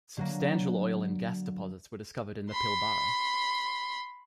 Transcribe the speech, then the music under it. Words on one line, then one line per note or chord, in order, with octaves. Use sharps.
Substantial oil and gas deposits were discovered in the Pilbara.
D3 F#3 A#3
B5 C6